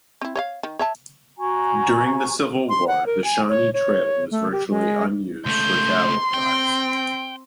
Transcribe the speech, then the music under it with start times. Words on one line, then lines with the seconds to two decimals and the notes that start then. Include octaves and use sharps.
During the Civil War the Shawnee Trail was virtually unused for cattle drives.
0.21 C4 E4
0.35 C#5 D#5 F5
0.63 D#3
0.79 C#5 E5 A5
1.38 F#4 G#5 A#5 C#6
2.69 C6
2.88 F#5
3.06 A#4
3.24 G#5
3.49 C#5
3.74 C#5
4.31 A3
4.52 G4
4.70 G#3
5.46 C#2 A3 C6 G6
6.34 C4 G5